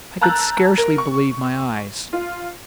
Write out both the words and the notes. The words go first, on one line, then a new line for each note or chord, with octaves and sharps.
I could scarcely believe my eyes.
A5 A#5 E6 F#6 G6 A6
A#4
C#6
F4